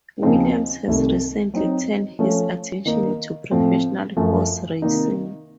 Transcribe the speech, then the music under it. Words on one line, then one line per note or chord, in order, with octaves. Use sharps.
Williams has recently turned his attention to professional horse racing.
D#2 C#3 F3 C4 D#4
C2 C3 D#3 A3
F#3 C4 D#4
F3 A3 C#4
D#3 A#3 D#4
A2 F3 A3 C4
F#2 F3 A3
C3 D#3 A#3 D#4